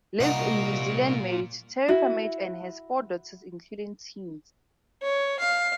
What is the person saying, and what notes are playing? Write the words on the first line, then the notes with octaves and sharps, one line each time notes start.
Lives in New Zealand married to Terry Furmage, and has four daughters including twins.
C2 A#2 D#4 F#4 A#4
E4 F#4
C#5
F5